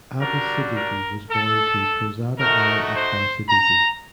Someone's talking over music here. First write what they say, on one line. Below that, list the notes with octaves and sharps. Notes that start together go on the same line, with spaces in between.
Abbas Siddiqui was born to Pirzada Ali Akbar Siddiqui.
G3 D4 F#4 A#4
A#4
A4
A3 D#4 F#4 A#4
C5
A#5